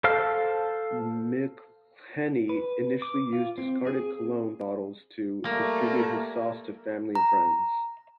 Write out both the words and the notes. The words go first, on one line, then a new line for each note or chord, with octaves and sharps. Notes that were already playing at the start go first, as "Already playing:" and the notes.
McIlhenny initially used discarded cologne bottles to distribute his sauce to family and friends.
A4 C5 F5 A5 F6
B4
D6
F4
C4
G#4
G3 A3 A#3
A#5